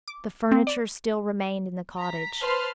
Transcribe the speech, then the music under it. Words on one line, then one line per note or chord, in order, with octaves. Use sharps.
The furniture still remained in the cottage.
D6
C4
D5
A#5 B6
B4 C5 A5 C6 F6